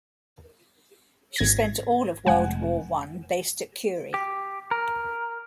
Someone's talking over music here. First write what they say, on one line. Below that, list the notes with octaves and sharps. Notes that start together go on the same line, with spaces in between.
She spent all of World War One based at Kure.
G#1 G#6 A#6
F1 G#3 F#5 G#5
G4
A#4